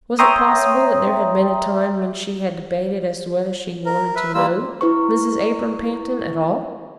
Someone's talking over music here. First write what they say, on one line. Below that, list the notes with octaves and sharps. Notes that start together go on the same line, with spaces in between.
Was it possible that there had been a time when she had debated as to whether she wanted to know Mrs. Abram Pantin at all?
C#5 E5 G5 A#5 C6 D#6
A#4
B4 E5
G3 A#3 F4 E6
E4 B4 C#6